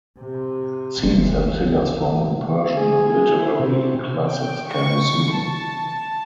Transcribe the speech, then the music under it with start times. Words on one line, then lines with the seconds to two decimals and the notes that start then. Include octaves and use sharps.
Scenes and figures from the Persian literary classics can be seen.
0.20 C3
1.04 F#1 D2
2.77 G#4
3.10 G#4
3.39 E4
3.59 C3
4.28 G5
4.70 C#6
5.34 A5